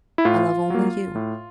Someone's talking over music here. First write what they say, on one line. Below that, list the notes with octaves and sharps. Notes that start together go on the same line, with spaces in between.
I love only you.
E4
A2 F4
F#3 A#3
A2